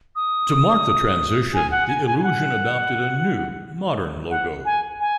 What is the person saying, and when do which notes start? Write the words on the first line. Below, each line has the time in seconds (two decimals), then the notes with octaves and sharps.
To mark the transition, the Illusion adopted a new, modern logo.
0.15 D#6
1.53 G#5
1.71 F#5
1.88 G#5
2.05 G#5
2.18 G#5
2.23 F#5
4.30 F#5
4.65 G#5
5.00 G#5